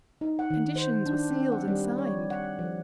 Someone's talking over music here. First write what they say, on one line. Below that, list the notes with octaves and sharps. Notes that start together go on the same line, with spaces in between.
Conditions were sealed and signed.
D#4
F#5
D#3
C5
D4
C4
F#5
G3
C#5
F#5
F3